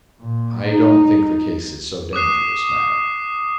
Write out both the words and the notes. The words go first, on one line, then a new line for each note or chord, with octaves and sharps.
"I don't think the case is so dangerous, madam."
A#2
D#4
D6 D#6 F#6 C7